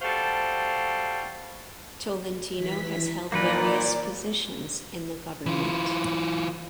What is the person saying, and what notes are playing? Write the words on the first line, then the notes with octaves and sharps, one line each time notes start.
Tolentino has held various positions in the government.
G3 F#4 A4 C5 F5
E3 B6
A#2 E3 F#3 A#3 D#4 B4 D5
E3 F4